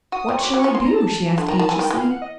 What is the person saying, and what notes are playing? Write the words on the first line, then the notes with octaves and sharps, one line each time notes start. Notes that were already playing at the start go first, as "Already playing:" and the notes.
"What shall I do?" she asked anxiously.
F#4 D#6
C4
C#6
F#3 D6
F#3
C#6
F3
E3 C6
A#5
A5
D3
D#3 A#5
D#3 A5
E3 G#5
D#3 G5
E3 G5
F5
F#5
D#5